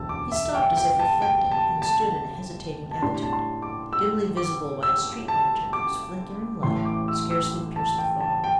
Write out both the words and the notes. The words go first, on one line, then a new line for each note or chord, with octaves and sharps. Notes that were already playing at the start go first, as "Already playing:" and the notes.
He stopped as if reflecting, and stood in a hesitating attitude, dimly visible by a street lantern whose flickering light scarcely pierced the fog.
Already playing: E1 D2 D3 A5 E6
D6
E5
G5
G5
A5
G5
A5
A5
A5
A2 G3 D4 C6
A5
C6
D6
E6
D6
E6
A5
D6
A1 A2 E3 A3 E4 C6
D6
E6
E6
A5
G5
A5
G5